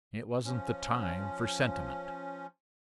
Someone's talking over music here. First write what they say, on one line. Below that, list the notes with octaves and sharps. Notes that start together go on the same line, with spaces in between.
"It wasn't the time for sentiment."
F3 C#4